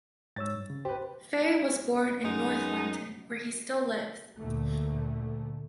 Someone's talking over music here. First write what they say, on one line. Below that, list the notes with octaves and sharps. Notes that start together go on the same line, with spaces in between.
Fay was born in north London, where he still lives.
G#2 C#5 E6 A6
G2
C#3
G4 B4 C5
F#2 G#3 B3 D#4
D2 A#2 D3 A3